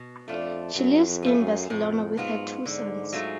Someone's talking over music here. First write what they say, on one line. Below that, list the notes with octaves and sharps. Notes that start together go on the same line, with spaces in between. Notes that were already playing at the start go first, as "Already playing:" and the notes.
She lives in Barcelona with her two sons.
Already playing: B2
F2 A3 D4 F4
F#2 F#3
F2
A3 F4 G#4
F#2
F2 A2
G#2 F#3 B3 F4
G#2 D3
F#3 A3 F4 G#4